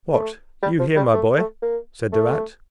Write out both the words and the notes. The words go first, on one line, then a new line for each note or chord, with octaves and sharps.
"What! you here, my boy?" said the rat.
A3
G3
F3
G3
A3
A3
A#3
A3